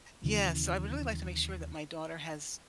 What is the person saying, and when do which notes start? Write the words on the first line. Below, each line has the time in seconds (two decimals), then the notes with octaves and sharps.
yeah, so I would really like to make sure that my daughter has,
0.24 D#2 C#3 E3